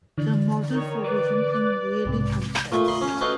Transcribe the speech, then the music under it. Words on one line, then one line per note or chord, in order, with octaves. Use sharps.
The model for vision in really complex.
D3 E3 D5
D#3 C#5
B4 D5
B1 G#2 C3
A#2 A3
D#5 B5 C6
C#4
F#4 A4 B4 D#5 F5 G5